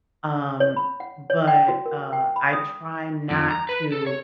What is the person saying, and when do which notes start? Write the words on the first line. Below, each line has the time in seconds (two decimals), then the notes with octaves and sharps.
um, but, uh, I try not to
0.60 C#5
0.76 B5
1.00 F#5
1.30 C#5
1.47 G5
1.68 F#4
1.86 A#4
2.13 G5
2.36 B5
2.53 D#6
3.30 F2
3.51 A#5
3.69 B4
3.92 A4
4.07 C#5